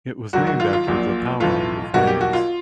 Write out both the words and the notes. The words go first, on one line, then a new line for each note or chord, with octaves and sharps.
It was named after the townland of Maze.
G#1 G#2 D#3 F#3 F#4
F#4
F4
F4
A#1 A#2 F#3
B1 A2 E3 A3 F4
B1 B2 G3 A#3 F#4
G4
F#4
F4